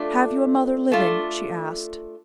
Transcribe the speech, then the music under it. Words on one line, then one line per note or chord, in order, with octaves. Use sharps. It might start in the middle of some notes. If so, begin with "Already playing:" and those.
"Have you a mother living?" she asked.
Already playing: A3 D4 F4
A3 D4 F4